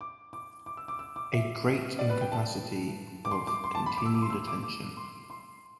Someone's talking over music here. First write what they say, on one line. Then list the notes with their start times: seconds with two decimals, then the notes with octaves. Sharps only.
A great incapacity of continued attention.
0.01 D6
0.33 D6
0.66 D6
0.77 E6
0.88 D6
0.99 E6
1.16 D6
1.33 E5
1.99 D5
2.10 B4
2.21 G5
2.32 A5
3.25 D6
3.31 C6
3.47 D6
3.64 C6
3.75 A5
3.86 B5
3.97 D6
4.06 E6
4.14 D6
4.22 C6
4.30 E6
4.48 D6
4.63 D6
4.97 C6
5.30 C6